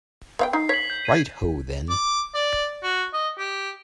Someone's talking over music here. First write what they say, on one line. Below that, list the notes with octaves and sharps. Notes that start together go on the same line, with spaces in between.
Right ho, then.
B3 F5 G5
D#4 C7
C#5 B6 F#7
G6
G#6 B6 D#7
D6
D5
F#4
D#5
G4